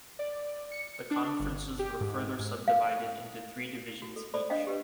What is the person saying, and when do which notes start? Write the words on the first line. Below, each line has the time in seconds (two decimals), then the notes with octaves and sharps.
The conferences were further subdivided into three divisions each.
0.19 D5
0.71 C#7
1.11 D4
1.40 G1
1.79 G4
2.01 G#2
2.39 G#2
2.68 F5
4.02 F#4
4.16 A4
4.34 A4 C5 D5 B5
4.50 D4 C5 D#5 F5 G5
4.67 G4 B4